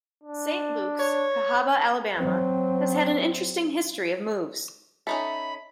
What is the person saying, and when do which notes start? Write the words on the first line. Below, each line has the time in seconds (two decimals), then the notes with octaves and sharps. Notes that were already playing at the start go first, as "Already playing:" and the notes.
Saint Luke's, Cahaba, Alabama, has had an interesting history of moves.
0.23 D4
0.99 C#5
2.16 F#3 C4
5.07 C#4 D#4 A4 E5 B5